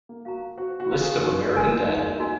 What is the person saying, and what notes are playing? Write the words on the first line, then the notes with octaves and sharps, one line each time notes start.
List of American Dad!
A#3
F#4 F5 A#5
F#4 C5
F#4
F5 A#5
G#4
D#4 F#4
G#3 F#4 A#4 D#5 G#5
A#3 D#4
A#3 F#4 A#4 D#5 G#5